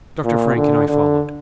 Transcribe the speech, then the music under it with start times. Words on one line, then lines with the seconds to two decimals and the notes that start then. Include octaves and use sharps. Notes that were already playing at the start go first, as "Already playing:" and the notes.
Dr. Frank and I followed.
0.25 A#2
0.56 D3
0.89 D3